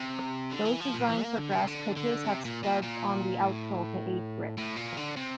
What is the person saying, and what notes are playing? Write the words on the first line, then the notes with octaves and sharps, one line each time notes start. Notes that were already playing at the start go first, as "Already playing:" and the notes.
Those designed for grass pitches have studs on the outsole to aid grip.
Already playing: C3
D3
E3
F3
A#2
E3
A#3
D3
C3
D3
D3
C3
A#2
A#2
A#2
A2
A2
A#2
D3
C3